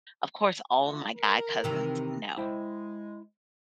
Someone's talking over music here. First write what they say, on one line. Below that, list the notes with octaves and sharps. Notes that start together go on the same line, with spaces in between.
of course, all my guy cousins know
A3 F4 F#4
A#4
C3 D#3 E3
G#3 E4 C5 G5